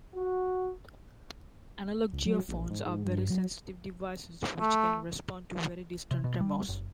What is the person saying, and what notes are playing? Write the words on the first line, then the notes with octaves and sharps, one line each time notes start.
Analog geophones are very sensitive devices which can respond to very distant tremors.
F#4
C#2
F#3
A#1
G#2
G#2
G2
F#3
A3
C3
B2
G3
F#1